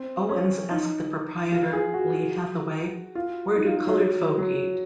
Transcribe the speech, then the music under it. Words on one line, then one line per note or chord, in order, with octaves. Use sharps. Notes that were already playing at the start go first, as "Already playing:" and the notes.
Owens asked the proprietor, Lee Hathaway, where do colored folk eat?
Already playing: C4
C#4
D#4
F4
G#4
F#4
F4
D#4
F4
D#4
F#3
F#3